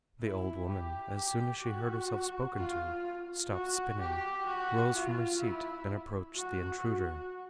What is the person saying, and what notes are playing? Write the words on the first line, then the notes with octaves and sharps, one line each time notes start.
The old woman as soon as she heard herself spoken to stopped spinning, rose from her seat and approached the intruder.
E4
G4
G4
F#4
F4
F#4
G4
F#4
F4
E4
F#4
F#4